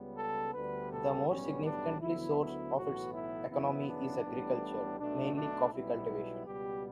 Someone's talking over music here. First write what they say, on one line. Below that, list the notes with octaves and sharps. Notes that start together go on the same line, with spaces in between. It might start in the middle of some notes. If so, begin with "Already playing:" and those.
The more significantly source of its economy is agriculture, mainly coffee cultivation.
Already playing: C#2 C#3 G3 B3
A4
D2 D3 G3 B3 B4
A4
B1 A2 G3 B3 C#4
D4
D2 D3 F#3 B3 E4
E4
B1 A2 E3 B3 F#4
E4
F#2 C#3 E3 B3 E4
D4
A1 A2 G3 B3
B1 B2 A3 D4
D4
B1 B2 G3 B3 E4
C#2 B2 G3 B3 G4